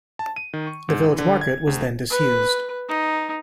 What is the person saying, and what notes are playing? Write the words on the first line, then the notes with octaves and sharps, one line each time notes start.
The village market was then disused.
A5
D#7
D#3
C#6
G#2
E3
D3
G#6
D2
B4
D#4